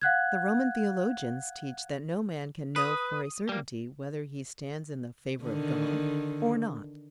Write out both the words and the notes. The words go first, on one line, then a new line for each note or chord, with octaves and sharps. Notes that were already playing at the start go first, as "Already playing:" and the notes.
The Roman theologians teach that no man can know for a certainty whether he stands in the favor of God or not.
F5 F#5 F#6 G#6
B4 D#6
G3 A#3
D3 D#3